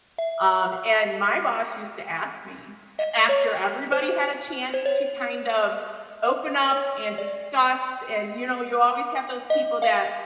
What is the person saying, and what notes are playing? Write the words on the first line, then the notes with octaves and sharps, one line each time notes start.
Um, and my boss used to ask me a after everybody had a chance to kind of open up and discuss, and, you know, you always have those people that
E5
D#5
C#5
C5
C5
C#5
C#5
D5
D#5
F5